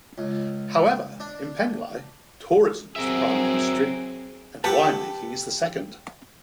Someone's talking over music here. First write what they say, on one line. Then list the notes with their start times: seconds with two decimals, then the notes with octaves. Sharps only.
However, in Penglai, tourism is the primary industry, and wine-making is second.
0.18 C#2
1.20 D4
2.96 F#3 C4 F#4 G#4 A#4 E5
4.64 G4 A4 B4 F#5 G5 A5